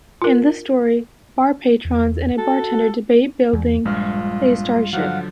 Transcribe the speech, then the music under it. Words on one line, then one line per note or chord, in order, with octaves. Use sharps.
In the story, bar patrons and a bartender debate building a starship.
F4 A#4
E2
F#4 A4
E2
A#1 G2 G#3 F4 F6
D3 F3 F#3 F5 F#5